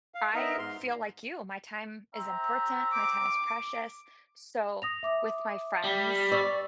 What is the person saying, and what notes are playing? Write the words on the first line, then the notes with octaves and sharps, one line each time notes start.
I feel like you, my time is important. My time is precious, so, with my friends
F5
B3 D#4 A#4 D#5 E5 A#5
G#2 C6
C4 E5 A#5
D6
D#6 A#6 F7
E5 D6 D#6
G3
D5 C#6 D6 E6